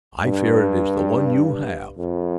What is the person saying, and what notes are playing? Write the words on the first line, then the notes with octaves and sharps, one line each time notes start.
I fear it is the one you have.
G2
F2